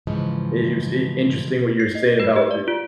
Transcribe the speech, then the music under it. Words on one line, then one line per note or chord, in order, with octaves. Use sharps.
It it was i interesting what you were saying about,
G#2 C#3 E3 F3 G#3
C7
D#5
B4
G4
D5
F4